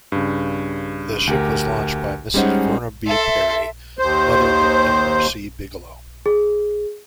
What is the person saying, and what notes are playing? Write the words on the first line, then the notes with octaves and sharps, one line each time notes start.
The ship was launched by Mrs. Verna B. Perry, mother of Elmer C. Bigelow.
G2 C#3
D2 G4 A#4
G3 G#3 C#4 D#4 C5 F#5
A4 E5 C6
D#2 C5
G#4